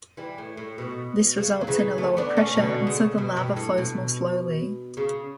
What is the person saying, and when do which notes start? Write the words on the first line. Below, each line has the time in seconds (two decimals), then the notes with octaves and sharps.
This results in a lower pressure, and so the lava flows more slowly.
0.17 E3 G3
0.38 A2
0.57 A2
0.78 B2
1.37 C#3
1.61 F#3
1.67 C#3 E3
1.98 A3 C#4
2.17 B3 D4
2.37 A3 C#4
2.57 B2 D3
2.87 C#3
3.18 B2
3.37 G2
3.57 A2
3.78 B2
4.97 C#3